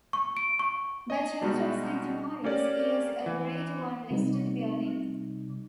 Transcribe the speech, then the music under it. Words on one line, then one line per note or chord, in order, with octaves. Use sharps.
The church of Saint Mary's is a grade one listed building.
C#6
D7
C#6
D#5 G#5
B2 G3 G#3 D#4 F#4
A#3 C#4 G4 A#4 D5
E3
C3 G3 D#4